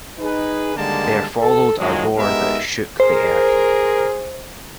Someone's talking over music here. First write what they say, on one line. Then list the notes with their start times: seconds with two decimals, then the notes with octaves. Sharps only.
There followed a roar that shook the earth.
0.19 D#4 G#4 B4
0.76 D3 D#3 G3 G#3 A#3 A5
1.41 A4
1.78 A#1 D#3 F3 F#3 G#3
2.17 G#3 B3 D#4 G4 A#4 E5
3.00 G#4 A#4 C5